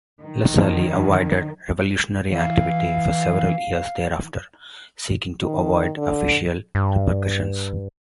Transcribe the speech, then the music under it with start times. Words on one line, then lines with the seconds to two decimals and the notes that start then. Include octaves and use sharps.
Lassalle avoided revolutionary activity for several years thereafter, seeking to avoid official repercussions.
0.23 D#3
0.60 F2
2.32 E3 F5
5.43 D#3
5.97 D3
6.75 G2